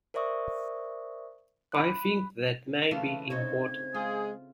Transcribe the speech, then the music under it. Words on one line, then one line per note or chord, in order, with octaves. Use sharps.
I think that may be important.
A#4 C5 D5 E5 C#6 D#6
B5 F#6
C#3 E3 A3 F4
C4 D#4 C#5 G#6
G#3 F4 G#4